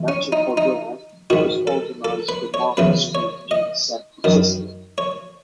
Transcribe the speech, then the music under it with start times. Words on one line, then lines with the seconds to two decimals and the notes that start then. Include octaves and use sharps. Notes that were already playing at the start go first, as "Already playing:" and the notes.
Much of her work was organized from Market Street in San Francisco.
Already playing: E2 E3
0.08 C#4
0.32 D#4
0.57 D#4
1.30 G#2 D#3 F#4
1.67 A4
2.05 A4
2.29 B4
2.54 C#5
2.77 E2 C#3 E3 B4
3.15 C#5
3.51 D#5
4.24 F#2 D#3
4.98 C#5